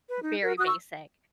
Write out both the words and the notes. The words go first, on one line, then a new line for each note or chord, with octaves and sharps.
very basic.
B4
D#4
F#4 A#4
F#4 D#6 F#6
C#6 E6